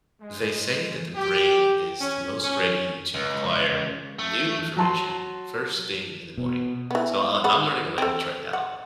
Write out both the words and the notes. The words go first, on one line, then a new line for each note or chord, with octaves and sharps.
they say that the brain is the most ready to acquire new information first thing in the morning. So, I'll I'm learning a language right now,
G#3
G4
C#4
C#4
C#2
A3
F#3 A5 C6
B2
E3 B3
G#4 F#5 B5
C4 A4
F#5